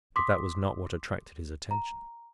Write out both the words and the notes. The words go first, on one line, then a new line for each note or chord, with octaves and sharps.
But that was not what attracted his attention.
C6 D6 D#6 B6
A#5